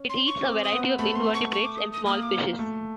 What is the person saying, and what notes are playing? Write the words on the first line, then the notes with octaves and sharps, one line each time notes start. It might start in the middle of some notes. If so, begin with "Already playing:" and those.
It eats a variety of invertebrates and small fishes.
Already playing: C#4
C6
C#6
C4 D6
D#6
B3
A3 B5
C6
C#6
C#6
D6
D#6
D#6
A#3 D#6
D6
A3